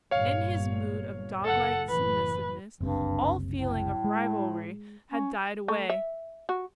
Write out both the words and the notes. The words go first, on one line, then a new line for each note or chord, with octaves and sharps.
In his mood of doglike submissiveness all feeling of rivalry had died away.
G1 G2 A#2 C#5 F5
F#1 A4 F#5
F#1 A2 E3 B4
F#1 C2 G2 C3
A2
G#3
C#4
A3
E5
F#4